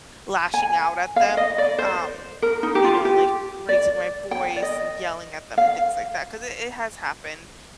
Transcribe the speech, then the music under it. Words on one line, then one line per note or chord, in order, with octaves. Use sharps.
lashing out at them, um, you know, like raising my voice and yelling at them and things like that 'cause it it has happened,
G#5
F5
D#5
D5
C5
A#4
D#4
G4
F4
G4
D5
G5
D5
D#5
F5